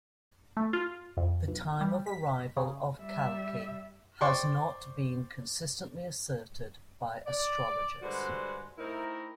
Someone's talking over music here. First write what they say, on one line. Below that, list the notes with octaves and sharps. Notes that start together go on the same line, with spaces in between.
The time of arrival of Kalki has not been consistently asserted by astrologers.
A3
F4
F2
B1
G3
B6
C#3
G3 E5
C5 D5 G5 C6 C#6
D5
D3 G3 G#3 F#4 B4 C5
A3 C4 D#4 E4 A#4